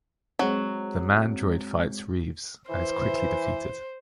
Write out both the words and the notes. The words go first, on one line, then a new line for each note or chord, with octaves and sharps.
The Mandroid fights Reeves and is quickly defeated.
F#3 G#3 C4
E3 C5